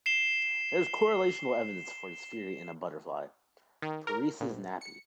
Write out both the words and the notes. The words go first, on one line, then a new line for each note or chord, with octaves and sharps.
There is correlational evidence for this theory in a butterfly, "Pieris napi".
C7 E7 G7
D#3
A#4
A#1
C#7